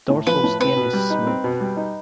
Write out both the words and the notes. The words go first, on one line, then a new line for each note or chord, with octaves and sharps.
Dorsal skin is smooth.
A2
F3 B4
A2
C4 B4
B2
G3
D#4
C4
B2
G3
D#4